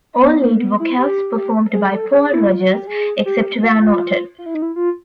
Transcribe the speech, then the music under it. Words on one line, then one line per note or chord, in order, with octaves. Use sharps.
All lead vocals performed by Paul Rodgers, except where noted.
B3
A#3
B3
E4
G4
G#4
A4
G#4
E4
F4
F#4
G4
G#4
G4
F#4
E4
F4
F4
E4
D#4
E4
F4